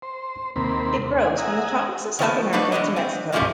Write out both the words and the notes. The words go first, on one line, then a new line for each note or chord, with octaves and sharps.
It grows from the tropics of South America to Mexico.
C5
D#2 C3 A#3 C4 B5
F#5 G#5
E5 F#5 G#5 A#5 D#6
D#3 F3 B3 A5
A3 D4 D#4 B4
E2 C#3 D4 D#5
B3 C4
F#2 A#2 F3 G3 A3 C#4